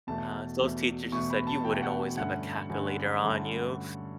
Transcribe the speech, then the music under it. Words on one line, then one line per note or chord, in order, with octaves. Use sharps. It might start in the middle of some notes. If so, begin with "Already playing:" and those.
Uh, those teachers just said, "You wouldn't always have a calculator on you."
E2 B2 A3 A5
E2 B2 A3
E2 B2 A3 C#6
B5
A5
E2 B2 A3 G5
F#5
G2 D3 A3 C#4 F#5
G2 D3 A3 C#4
G2 D3 A3 C#4